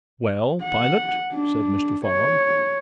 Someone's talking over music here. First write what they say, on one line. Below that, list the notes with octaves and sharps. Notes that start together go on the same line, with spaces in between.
"Well, pilot?" said Mr. Fogg.
F#5
D4
C#5